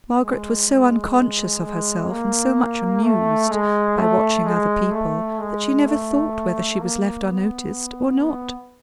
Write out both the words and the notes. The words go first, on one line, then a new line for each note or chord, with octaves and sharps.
Margaret was so unconscious of herself, and so much amused by watching other people, that she never thought whether she was left unnoticed or not.
G#3
G#3
G#3
A#3
A3
G#3
A3
G#3
A3
G#3
A3
A#3
B3
B3